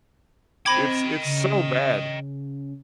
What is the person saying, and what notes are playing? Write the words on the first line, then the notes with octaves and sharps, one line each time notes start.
It's it's so bad.
C4 D#5 G5 B5 D6 G#6
C#3